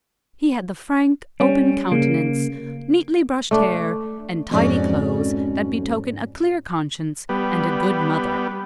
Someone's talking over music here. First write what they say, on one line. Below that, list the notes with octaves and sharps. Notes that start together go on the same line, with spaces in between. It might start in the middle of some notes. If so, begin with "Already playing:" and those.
He had the frank open countenance, neatly brushed hair and tidy clothes that betoken a clear conscience and a good mother.
G3 C#4
C#3 A#3
A3 D4
F2 G#2 C#4 F#4 D5
G3 B3